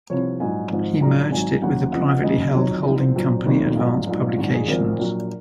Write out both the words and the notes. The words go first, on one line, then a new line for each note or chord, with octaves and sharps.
He merged it with the privately held holding company Advance Publications.
C2 C3 F3 C#5
A#1 G#2 F#3 G#5
G#1 G#2 F3
A#1 G#2 F#3 A#5
G#1 G#2 F#3 G#5
D#2 C#3 F#3 F#5
F2 C#3 F3 F#5
F#5
D#2 C#3 F#3 D#5
F2 D#3 F#3 C#5
C2 C3 F3 D#4
C4
A#1 A#2 F#3
F1 D#2 D#3 F#3
A#1 G#2 F#3 F4
A#1 G#2 F#3
F4
A#1 G#2 D#3 F#3 F#4
G#4
G#1 G#2 F3 A#4
A#1 A#2 F#3